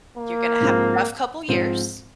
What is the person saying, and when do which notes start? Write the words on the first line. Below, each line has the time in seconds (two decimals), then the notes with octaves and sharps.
you're gonna have a rough couple of years"
0.17 A#3
0.60 G#2 F3 C4 F4 C5
1.48 G#2 F3 C4 F4 C5